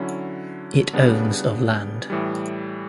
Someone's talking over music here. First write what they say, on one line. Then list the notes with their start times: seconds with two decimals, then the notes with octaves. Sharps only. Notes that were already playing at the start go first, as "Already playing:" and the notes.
It owns of land.
Already playing: D3 F#3 C#4 E4
0.93 C#3 G3 B3 D4
2.10 A2 E3 G3